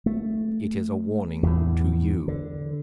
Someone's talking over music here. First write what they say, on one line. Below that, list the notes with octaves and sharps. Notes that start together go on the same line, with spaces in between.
It is a warning to you.
A3
E2 A2
D3